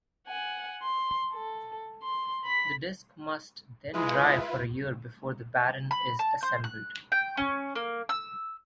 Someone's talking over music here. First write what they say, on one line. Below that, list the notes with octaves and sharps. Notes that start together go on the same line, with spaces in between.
The disk must then dry for a year before the baren is assembled.
F#5 G#5
C6
A4
C6
B5 B6
G#3 E4 F4 B4
B5
A5
C5
F#6
G5
C#4
A#3
E6